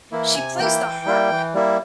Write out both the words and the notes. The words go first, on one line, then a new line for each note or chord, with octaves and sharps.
She plays the harp
E3 A#3 E4
C3 G#5
E3 A#3 E4 G5
E3
G3 A#3 E4
E3
G3 A#3 E4